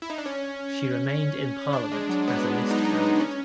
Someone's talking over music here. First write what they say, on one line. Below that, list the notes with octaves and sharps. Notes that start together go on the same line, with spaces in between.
She remained in Parliament as a list candidate.
E4
D#4
D4
C#4
D4
G#3
F#3
B3
B3
D#4
C#4